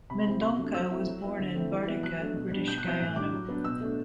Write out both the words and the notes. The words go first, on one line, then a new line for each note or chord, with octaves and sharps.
Mendonca was born in Bartica, British Guiana.
C3 B5
G3 C4 E4
C3 C6
F#3 A3 D4
F#3 E6
A3 C4 E4
F#3
B3 E4
D3
A3 C4 E4
E3
B3 E4
F#3 F#6
A3 D4
B2
G3 D4
B2 G6
F#6
F#3 C4 E4 G6
A2 F#6
G3 D4 D6
F#3
B3 D4
B2 E6
A3 D4